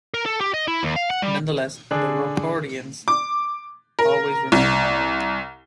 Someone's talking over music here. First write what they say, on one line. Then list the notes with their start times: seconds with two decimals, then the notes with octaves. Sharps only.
Nonetheless, the "rocardiens" always remained a minority.
0.14 A#4
0.26 A4
0.41 G4
0.54 D#5
0.68 E4
0.83 D#2
0.96 F5
1.10 F#5
1.22 G3
1.91 D3 D4 G#4
3.08 D6
3.99 A#4
4.52 C2